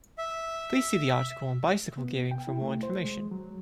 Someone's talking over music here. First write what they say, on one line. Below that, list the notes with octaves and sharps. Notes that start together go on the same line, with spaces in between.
Please see the article on bicycle gearing for more information.
E5
B3
G5
E4
A3
C5
G#3
F#3